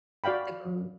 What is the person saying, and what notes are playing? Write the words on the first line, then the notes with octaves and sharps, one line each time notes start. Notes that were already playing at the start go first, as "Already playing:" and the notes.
The group.
F#4 D5 F5 G5 B5